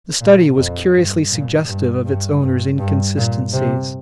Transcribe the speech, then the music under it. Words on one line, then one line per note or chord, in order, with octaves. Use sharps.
The study was curiously suggestive of its owner's inconsistencies.
A#2
F2
G2
A#2
G2
G2
G2
G2
A#2
C3